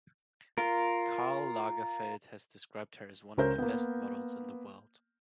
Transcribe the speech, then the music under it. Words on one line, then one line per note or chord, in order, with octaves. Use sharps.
Karl Lagerfeld has described her as one of the best models in the world.
F4 A#4
C#2 C#4 A#4 C5 G6
A#3 B3